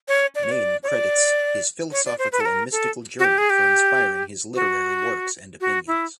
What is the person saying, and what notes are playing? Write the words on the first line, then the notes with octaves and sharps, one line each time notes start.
Naim credits his philosophical and mystical journey for inspiring his literary works and opinions.
C#5
D5
C#5
D5
C#5
D5
C#5
D5
C5
B4
A4
A#4
A4
F#4
G4
G#4
G4
F#4
F#4
E4